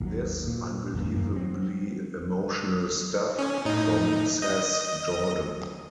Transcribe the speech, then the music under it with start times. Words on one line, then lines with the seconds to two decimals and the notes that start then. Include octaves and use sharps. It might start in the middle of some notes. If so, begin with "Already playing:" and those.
This unbelievably emotional stuff, from Sass Jordan.
0.01 G#1 D#2 F#3
0.47 A#2
0.94 G1 E2 A#2
1.13 F#2 E3 A#3
1.36 F#3 C4
3.39 C#4
3.65 A2 D#4
4.42 D#5